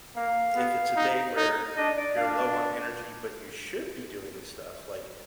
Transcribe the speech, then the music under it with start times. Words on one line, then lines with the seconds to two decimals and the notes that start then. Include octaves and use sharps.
if it's a day where you're low on energy, but you should be doing stuff, like,
0.16 A#3 F5
0.56 B3
0.97 D#4
1.37 D#4
1.77 D4 D#5
1.97 D5
2.17 D4 F5